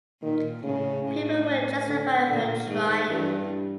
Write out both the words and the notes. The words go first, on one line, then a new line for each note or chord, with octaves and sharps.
People will justify her trying.
A#2 D#3
A2 C#3
A2
D3
A#2 D3
G#2 D#3
G2 E3